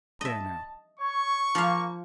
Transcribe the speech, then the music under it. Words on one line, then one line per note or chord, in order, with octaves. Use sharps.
There, now.
D#5 E5 A5
C#5 C#6
F3 A#3 F5